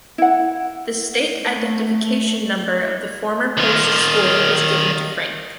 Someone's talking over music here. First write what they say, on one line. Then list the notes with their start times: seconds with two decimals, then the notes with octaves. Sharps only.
The state identification number of the former Post school was given to Frank.
0.18 E4 F#5
1.39 A3
3.57 D#3 F4